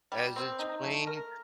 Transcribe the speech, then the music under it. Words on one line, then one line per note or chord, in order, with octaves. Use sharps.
As it's clean,
G3
C4
D#4
A3
A#4